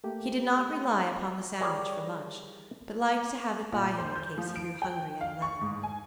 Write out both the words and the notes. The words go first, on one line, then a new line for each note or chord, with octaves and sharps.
He did not rely upon the sandwich for lunch, but liked to have it by him in case he grew hungry at eleven.
A3 A#3 G4
G3 G#4 A#4 C#5
A#2
C5
G6
F3
D7
G5
F5
C#6
G#2
G#5